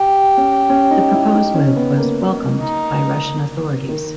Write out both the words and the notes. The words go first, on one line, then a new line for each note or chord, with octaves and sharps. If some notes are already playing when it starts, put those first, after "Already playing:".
The proposed move was "welcomed" by Russian authorities.
Already playing: G4
C#4
C#4
D#4
E4
D#4
C#4
B3
A#3
D#4
D#3